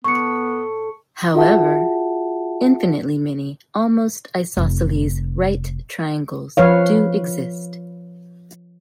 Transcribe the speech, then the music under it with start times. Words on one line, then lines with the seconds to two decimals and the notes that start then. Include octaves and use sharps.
However, infinitely many "almost-isosceles" right triangles do exist.
0.04 A2 B3 A4 C#6 C#7
1.35 F4 F#4 G#4 E5 F#5 A5
4.57 F1
6.57 F3 B4 C#5 F5